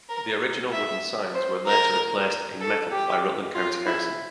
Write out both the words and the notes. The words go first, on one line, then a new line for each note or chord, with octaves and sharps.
The original wooden signs were later replaced in metal by Rutland County Council.
A#4
E5
C5
A#4
A4
G4
F4
E4